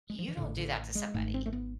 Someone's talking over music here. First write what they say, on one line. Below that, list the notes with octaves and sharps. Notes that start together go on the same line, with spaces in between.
you don't do that to somebody.
G#3
F3
E3
A1 A2 D3
D3
G#3
G#1 G#2 A3
C4
A3
B3